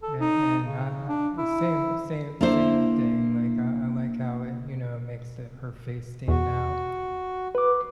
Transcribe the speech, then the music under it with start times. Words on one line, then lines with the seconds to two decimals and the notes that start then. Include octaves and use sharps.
a and uh uh uh, same same same thing, like, I I like how it, you know, makes the her face stand out
0.03 A4
0.20 D#4
0.63 C#3
1.09 D4
1.38 E4
2.41 A#3 D4 E4 C5
6.28 E2 F#4
7.55 B4 D6